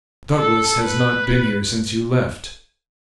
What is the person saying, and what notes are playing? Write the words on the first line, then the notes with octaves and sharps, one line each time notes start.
Douglas has not been here since you left.
A4
B4